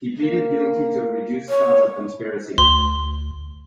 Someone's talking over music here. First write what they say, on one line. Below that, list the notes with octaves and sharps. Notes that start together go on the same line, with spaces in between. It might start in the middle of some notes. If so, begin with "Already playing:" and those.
He pleaded guilty to a reduced charge of conspiracy.
A#3
C#5
D2 C6